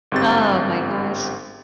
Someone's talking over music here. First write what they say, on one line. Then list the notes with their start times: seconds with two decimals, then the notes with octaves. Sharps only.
Oh my gosh.
0.12 G1 G#2 C4 G4 A6